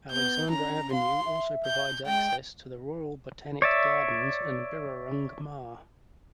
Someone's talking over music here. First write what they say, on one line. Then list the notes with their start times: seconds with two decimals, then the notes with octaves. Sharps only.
Alexandra Avenue also provides access to the Royal Botanic Gardens and Birrurung Marr.
0.11 B3 G6
0.51 C#4 A#5
0.92 F5 C6
1.26 E5
1.66 G6
2.06 G#3 G5
3.62 C#5 D5 E5